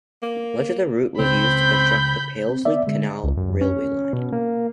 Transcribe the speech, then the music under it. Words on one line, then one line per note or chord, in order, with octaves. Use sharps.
Much of the route was used to construct the Paisley Canal railway line.
A#3
C#2 C4 B5 G6
C4
B3 D5 E5
D3 G#3
C#2
F#2
C#4
B2
A#3